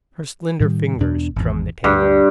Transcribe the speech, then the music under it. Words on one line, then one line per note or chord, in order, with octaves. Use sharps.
Her slender fingers drummed the table.
A2 D#3 G3
E2 B2 D4
G#1 E2
D2 G2